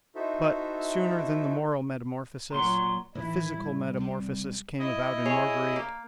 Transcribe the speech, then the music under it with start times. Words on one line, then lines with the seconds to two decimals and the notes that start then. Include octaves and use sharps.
But, sooner than the moral metamorphosis, a physical metamorphosis came about in Marguerite.
0.15 D#4 E4 F#4 A4 C5 E5
2.51 A#2 F#3 A#5 C6 G7
3.15 A2 E3 E4
3.58 G3
3.97 C2 C4
4.79 E4 D#5
5.25 G#4 C#5
5.76 A#3